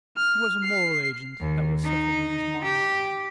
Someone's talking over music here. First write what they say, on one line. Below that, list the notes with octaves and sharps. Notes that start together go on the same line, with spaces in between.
He was a moral agent--that was settled in his mind.
F6
C7
D#2
D#4
G4